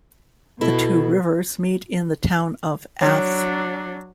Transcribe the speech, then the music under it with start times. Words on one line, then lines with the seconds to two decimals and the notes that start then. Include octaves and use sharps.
The two rivers meet in the town of Ath.
0.61 B2 E4 A4 D#5
3.01 F#3 D4 C#5